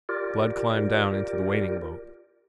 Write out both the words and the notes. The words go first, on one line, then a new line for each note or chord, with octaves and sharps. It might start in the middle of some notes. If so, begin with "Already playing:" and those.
Blood climbed down into the waiting boat.
F4 G4 A#4 D5